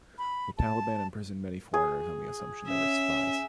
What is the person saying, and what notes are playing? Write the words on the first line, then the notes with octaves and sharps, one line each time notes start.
The Taliban imprisoned many foreigners on the assumption they were spies.
B5
A5
G#4
C#4 E5